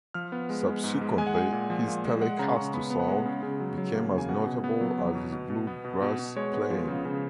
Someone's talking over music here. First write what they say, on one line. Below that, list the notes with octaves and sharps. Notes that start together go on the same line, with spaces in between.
Subsequently, his Telecaster sound became as notable as his bluegrass playing.
F3 F6
B3
G#3
G#3
G#2
G#3
G#3 G#5
F#5
G#3 G#5
A#2
F3
A#2
G#3
G#3 F#5
C#3 A#5
C#3 C#6
B3 B5
B3
F#5
G#3
C#3
C#3
F#3
F#3
A#3
C#3
G#5
B2 F#5
B2
B3
F#3
F#3
B2
B2
B2
B3
B2
B2
B2
G#3 C#5
B3
F3
C#3
C#3